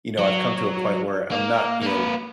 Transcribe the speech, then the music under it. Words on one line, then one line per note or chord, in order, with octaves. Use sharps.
you know, I've come to a point where I'm not, you know
F#3
A#3
A#3 B4